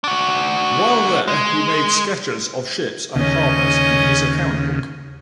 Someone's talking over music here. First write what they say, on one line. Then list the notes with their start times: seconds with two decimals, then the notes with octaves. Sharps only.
While there, he made sketches of ships and harbors in his account books.
0.04 D4 F#4
1.28 G#3
3.16 D#2 C#3 C#4 D#5